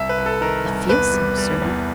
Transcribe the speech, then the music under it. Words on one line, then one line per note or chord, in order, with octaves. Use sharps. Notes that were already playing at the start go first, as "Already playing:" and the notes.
"I feel so, sir."
Already playing: C2 E5
B4
C2
A4
D#3 A#4
C2
E2 B4
G3
G3
E2